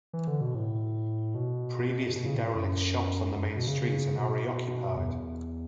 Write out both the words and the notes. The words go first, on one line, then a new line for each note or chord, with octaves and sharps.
Previously derelict shops on the main street are now reoccupied.
E3
D3
B2
A2
B2
B2
C#3
A2
F#2
F#2
B2
C#3
B2
E2